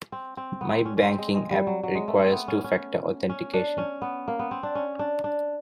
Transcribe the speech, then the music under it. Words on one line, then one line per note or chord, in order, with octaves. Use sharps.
My banking app requires two factor authentication.
C4
C4
B3
C4
C#4
C#4
C4
G#3
G#3
G3
F#3
F#3
G#3
A3
C4
B3
C#4
C#4
C#4
D4
C#4
B3
A#3
B3
C4
D4
C#4
D4
D4